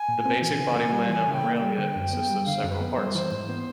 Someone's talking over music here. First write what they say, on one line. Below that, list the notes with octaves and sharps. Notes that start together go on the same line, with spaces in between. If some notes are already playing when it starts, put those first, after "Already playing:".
The basic body plan of "Aurelia" consists of several parts.
Already playing: G#5
A#2
C4
E3 G#5
C#3
A#3
G3
E3 G#5
C#3
G5
A#3
G5
G3
D3 G5
F#2
B3
G3
D3 F5
F#2
B4
B3
C5
G3
E3 C5
G#2
B3